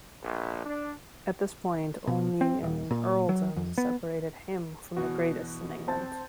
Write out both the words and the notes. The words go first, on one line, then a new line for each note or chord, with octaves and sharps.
At this point only an earldom separated him from the greatest in England.
A#1
D4
B2
C4
D#1
A#2
F#3
F2
B3
E2 B2 F#4
C4 A5 A6